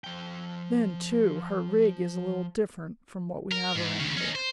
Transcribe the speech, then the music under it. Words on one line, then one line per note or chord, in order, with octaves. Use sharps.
Then, too, her rig is a little different from what we have around here.
F3 G5
A#4
G#2
D2 C#3
C#4 D#4
C5